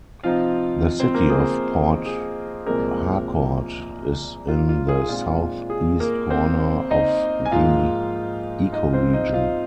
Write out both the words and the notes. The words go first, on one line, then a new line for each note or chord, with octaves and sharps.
The city of Port Harcourt is in the southeast corner of the ecoregion.
C3 F3 C4 D#4 F4 F5
C4 C5
A#3 A#4
G#4
G#4
C2 A#2 F3 G#3 A#3 C4 A#4
F4
F4
G#4
A#2 G#3 C4 D#4 F4
G#4
A#3 A#4
C4 C5
D#4 D#5
G#5
G#2 F3 A#3 D#4 F4 F5
D#4 D#5
C4 C5
D#4 D#5
F4 F5